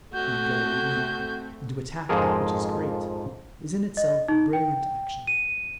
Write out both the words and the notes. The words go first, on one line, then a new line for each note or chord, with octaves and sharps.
To be very mean, and to attack that which is great, is in itself a brilliant action.
A3 C4 F#4 G6
F2 G#2 F3 G#4 A#4
D#5
D#4
G5
D#7